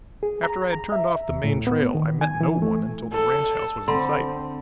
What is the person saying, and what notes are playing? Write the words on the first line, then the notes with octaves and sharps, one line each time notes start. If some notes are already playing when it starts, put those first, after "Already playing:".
After I had turned off the main trail I met no one until the ranch house was in sight.
G#4
A#5
A#5
E5
D#2
A2
B3
D#3
G#5
E3
A3
A4
D3 C4 B5 C6